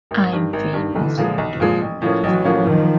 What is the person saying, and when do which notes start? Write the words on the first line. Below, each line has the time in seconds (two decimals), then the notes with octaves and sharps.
I'm famous for doing nothing.
0.11 G#1
0.32 G2 D#3
0.53 G#1
0.74 G2 D#3
0.95 B1 D3 E3
1.17 A#2 F3 G#3
1.38 B1
1.60 A#2 F3 G#3
1.81 A1
2.02 A2 F3 A#3 C#4
2.23 A1 E3 F#3
2.44 A2 F3 A#3 C#4
2.66 F#1 D#3 F3